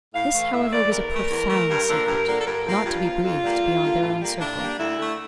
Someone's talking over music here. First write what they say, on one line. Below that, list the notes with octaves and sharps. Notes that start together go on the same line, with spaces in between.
This, however, was a profound secret, not to be breathed beyond their own circle.
A2 F5
E3 A3
A2 E5
E3 A3 D5
E2 A#4
E3 A3
E2
E3 A3
G2
D3 F3 A#3
G2
D3 F3 A#3
A4
G2 A#4
F3 A#3
G2 F4
F3 A#3
F2
D3 G3 A#3
F2
D3 G3 A#3
A2
G3 A#3
A2 D4
G3 A#3
D2 E4
D3 A3